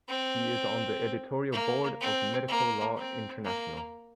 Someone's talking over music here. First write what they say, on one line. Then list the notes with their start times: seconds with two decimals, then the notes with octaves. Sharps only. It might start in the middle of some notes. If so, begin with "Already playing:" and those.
He is on the editorial board of Medical Law International.
0.08 C4
1.52 A#3
2.00 C4
2.48 A#3
2.96 C4
3.44 A#3